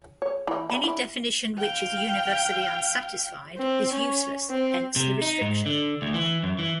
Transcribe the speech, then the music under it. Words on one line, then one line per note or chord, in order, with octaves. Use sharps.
Any definition which is universally unsatisfied is useless; hence the restriction.
C#5
E3
B5
E4
F5 G5
C4
C#4
C4
C3
D#4
G#2
D3
D2
E3
F#2
E3